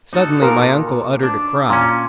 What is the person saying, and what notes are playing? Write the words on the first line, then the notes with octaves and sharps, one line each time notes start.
Suddenly my uncle uttered a cry.
D#4 F#4 A4
A#2 A#4
D4
A#2 C#4